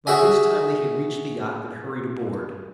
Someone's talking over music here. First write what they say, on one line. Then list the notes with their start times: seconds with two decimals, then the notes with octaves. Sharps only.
By this time they had reached the yacht and hurried aboard.
0.07 F#4 G#4 E5 G#5